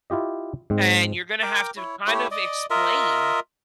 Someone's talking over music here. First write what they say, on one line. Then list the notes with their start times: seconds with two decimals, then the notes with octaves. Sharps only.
and you're gonna have to kind of explain
0.10 E4 F4 G4 D#5
0.70 G#2 C4
1.42 A#4 G5 D6
1.77 E4 C#5
2.07 A3 E4 G4 C#5
2.31 D5 D#5
2.70 F4 A#4 D#5 E5